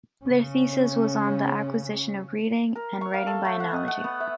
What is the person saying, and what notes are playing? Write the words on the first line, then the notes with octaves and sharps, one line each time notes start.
Their thesis was on the acquisition of reading and writing by analogy.
C#3 C#4
A#4
C#6
F5
A4
A3
F#5
D#5
F#5
B3
E5